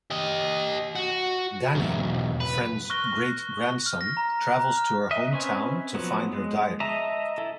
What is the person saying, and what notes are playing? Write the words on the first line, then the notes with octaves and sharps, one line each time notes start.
Daniel, Fran's great-grandson, travels to her home town to find her diary.
G4 D#5
F#4
B1 E2
B4
C#6 F6 F#6 A#6 G7
F6
A#6
A#5
F#6
A#5
F6
D#5 E5
C4 C#4 B4 G#5
F3 F#3 B3
G#3
D#5 E5 A5 A#5
E4 A4